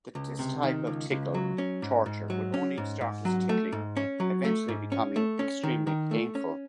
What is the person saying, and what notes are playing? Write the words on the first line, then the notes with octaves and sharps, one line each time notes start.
This type of tickle torture would only start as tickling, eventually becoming extremely painful.
C#2
C3
D#3
C#2
C#2
F#3
C#4
G#2
G#2
F#3
C#4
G#2
G#2
F#3
A3
G#2
C#4
F#3
A3
G#2
C#4
A3
C#4
D#3
D#3
A3
C#4